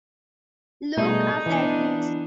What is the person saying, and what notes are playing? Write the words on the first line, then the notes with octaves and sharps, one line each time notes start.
Look after things.
B2 G3 A3 D#4 G#4
E3 B3 D4